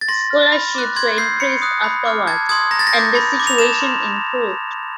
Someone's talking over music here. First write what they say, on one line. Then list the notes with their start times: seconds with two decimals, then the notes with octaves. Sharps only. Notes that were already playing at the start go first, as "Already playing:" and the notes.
Scholarships were increased afterwards, and the situation improved.
0.01 A6
0.08 C6 A#6
0.30 F6
0.52 B5
0.75 D6 F#6
0.96 C6 G#6
1.18 E6 G6 C7
1.40 B5 C#7
1.62 D#6 F#6
1.84 B5
2.05 D6 F6
2.27 A5 G#6
2.49 C6 D#6 G#6
2.71 A#5 A#6
2.79 A6
2.87 A#6
2.93 D6 G6
3.15 B5
3.37 D6 G6
3.47 F7
3.58 A5 E7
3.80 C6 F6